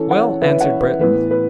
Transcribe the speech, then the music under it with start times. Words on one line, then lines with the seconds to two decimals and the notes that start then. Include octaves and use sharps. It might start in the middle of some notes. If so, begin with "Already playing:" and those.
"Well," answered Breton.
Already playing: E3 C#4 A4 C#5
0.11 C#5 F#5
0.41 E3 C#4 B4 E5
0.61 C#5 F#5
0.80 B4 E5
1.01 A2 E3 B3 B4
1.31 B4